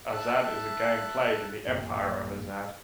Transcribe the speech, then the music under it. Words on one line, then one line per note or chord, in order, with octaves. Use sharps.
Azad is a game played in the Empire of Azad.
E5 A5 F#6
A1 F#2 A#2 A3